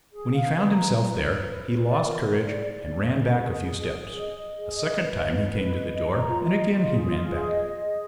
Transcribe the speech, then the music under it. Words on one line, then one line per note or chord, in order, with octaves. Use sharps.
When he found himself there, he lost courage and ran back a few steps. A second time he came to the door and again he ran back.
G#4
F5
B4
A#5
B4
B4
B4
B4
B4
D5
A#4
A#4
D5
D5
D5
D5
A#4
G#4
G#4
G#4
G#4
D#5
D#5
G#4
D#5
B4
D#5
B4
B4
D#5
D#5
A#5
F4
D#5
F4
G#4
F4
G#4
D#5
D#5
G#4